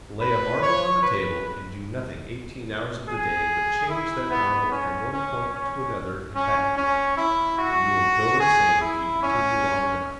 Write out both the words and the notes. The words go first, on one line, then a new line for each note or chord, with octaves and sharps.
Lay a marble on the table and do nothing eighteen hours of the day but change that marble from one point to another and back again, and you will go insane if you continue long enough.
B4
C#5
B4
G#4
E4
B3
C#4
C#4
C#4
C#4
C#4
E4
F#4
G#4
E4
C#4